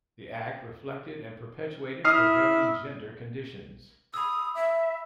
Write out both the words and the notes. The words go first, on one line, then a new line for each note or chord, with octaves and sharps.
The act reflected and perpetuated prevailing gender conditions.
E4 D#6 F6 C7
B5 D#6 E6
E5